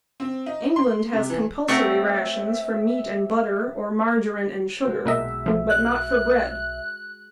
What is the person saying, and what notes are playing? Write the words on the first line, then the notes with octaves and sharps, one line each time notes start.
England has compulsory rations for meat and butter or margarine and sugar, but not for bread.
C4
D#4
C6
C3
E3
F#3 A3 C4 A#4 E5 C#6
G#3 F#4 G5
B1 A#2 A#4 D#5 E5
F3 A3
F#6